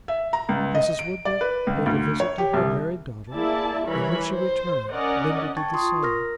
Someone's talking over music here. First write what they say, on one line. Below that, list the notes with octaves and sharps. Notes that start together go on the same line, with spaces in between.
Mrs. Woodward paid a visit to her married daughter, and, when she returned, Linda did the same.
E5
A#5
C#2
D#5
D7
D5
B4
C#2
D2
C#5
G4
C2
A#3 E4 G#4 D5 E5 A5
E3 G3 A#4 C#5 B5
C5
C#4 A#4 D5 D#5 F#5
G5 A5 C#6 G#6 A6
F4 C6 C#6 D#6
A#4 F6 A#6